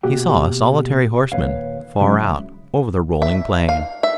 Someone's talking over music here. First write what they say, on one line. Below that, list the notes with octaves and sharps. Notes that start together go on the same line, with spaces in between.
He saw a solitary horseman far out over the rolling plain.
B2 A#3 F#4 G4 G5
D#2 A#2 B4 C#5 F5
E2 G#2 C#3 F#3 G#3 E4
E5
F5
E5